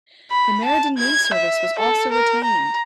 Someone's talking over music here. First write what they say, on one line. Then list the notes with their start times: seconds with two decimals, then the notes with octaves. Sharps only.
The MerredinLink service was also retained.
0.31 B5
0.65 A5
0.98 G#6
1.34 E5
1.79 A4
2.12 A#4
2.44 A#5